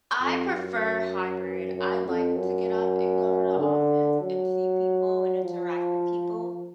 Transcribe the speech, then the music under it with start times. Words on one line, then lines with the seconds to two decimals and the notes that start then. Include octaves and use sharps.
I prefer hybrid, I like to get up and go to the office and see people and interact with people.
0.21 F2
0.51 F#2
1.75 F#2
2.06 F2
2.36 F#2
3.59 D3
4.21 F#3
5.43 F3